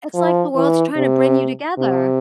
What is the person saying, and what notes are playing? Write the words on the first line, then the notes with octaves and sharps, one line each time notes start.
it's like the world's tryna bring you together.
F3
E3
C3
C3